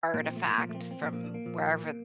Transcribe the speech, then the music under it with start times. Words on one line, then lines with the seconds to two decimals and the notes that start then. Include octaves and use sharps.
artifact from wherever
0.14 A#2 F3 A#3
0.24 C4
0.36 A3
0.46 A#3
0.57 A#2 F3 A#3
0.69 A3
0.75 C4
0.80 A#3
0.91 C4
1.02 A#2 F3 A#3
1.13 A#3
1.24 D4
1.34 A#3
1.46 A#2 F3